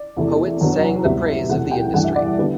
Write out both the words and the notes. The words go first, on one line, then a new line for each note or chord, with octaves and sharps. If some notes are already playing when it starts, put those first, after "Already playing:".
Poets sang the praise of the industry.
Already playing: D5
E2 C3 E3 A3 E4
F#2 F#3 B3 D4
D2 C3 G3 B3 E4 E5
E2 C3 E3 A3 F#5
G5
A1 G2 E3 A3 D4 F#5
E5
D5
D3 G3 B3 D4